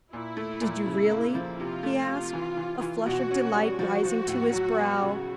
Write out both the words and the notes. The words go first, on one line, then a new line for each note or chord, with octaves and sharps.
"Did you really?" he asked, a flush of delight rising to his brow.
A#2 E4
A3
A#2
C#3
A#3
F3
C3 F4
A3
C3
E3
E3
E3
B2 F#4
C#4
G3
F3 F#4
F3
A2
F#3
B3
C#3